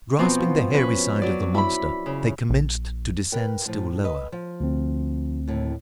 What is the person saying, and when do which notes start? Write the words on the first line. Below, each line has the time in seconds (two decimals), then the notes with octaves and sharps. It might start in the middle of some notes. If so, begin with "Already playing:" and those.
Grasping the hairy side of the monster, they commenced to descend still lower.
0.19 B2 F3 B3 C4
0.74 C#4 B4
1.22 F#3 D5
1.54 E4 B5
2.06 C#3
2.50 A#1
3.32 A#4 B4 G5
3.66 A2 F3
4.04 B4 D#5
4.32 F3
4.60 D2 C4
5.47 D#2 A2